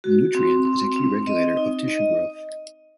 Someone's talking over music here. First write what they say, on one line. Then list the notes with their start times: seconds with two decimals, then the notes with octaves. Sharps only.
Nutrient is a key regulator of tissue growth.
0.04 F#4
0.35 C4
0.65 C4
0.96 C4
1.27 D#5
1.57 D#4
1.88 D#5